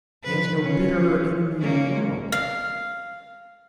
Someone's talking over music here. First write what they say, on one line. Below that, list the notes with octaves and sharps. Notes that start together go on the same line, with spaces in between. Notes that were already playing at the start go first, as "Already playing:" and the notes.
He has no bitterer enemy in the world!
F3 B4
C#4 F4
A#3 C#4
F5